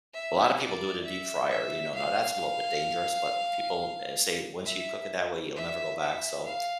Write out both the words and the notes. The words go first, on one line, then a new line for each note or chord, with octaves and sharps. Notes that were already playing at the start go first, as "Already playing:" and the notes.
A lot of people do it in a deep fryer, you know? Now that's a little bit dangerous, but people, eh, say once you cook it that way, you'll never go back, so,
E5
D5
E5
E5
F5
E5
E5
E5
F5